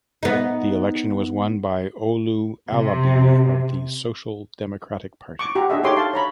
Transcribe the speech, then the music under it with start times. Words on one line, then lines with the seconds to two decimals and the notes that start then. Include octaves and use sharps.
The election was won by Olu Alabi of the Social Democratic Party.
0.23 B3 D#4
2.70 C3
5.39 C#6 D6
5.55 F#4 G4 A#5
5.70 D4 F#4 G#4 D#5 E5
5.83 D#4 G4 A4 C#5 C6 D6
5.97 F5 A5 C6
6.14 C#5 A#5 B5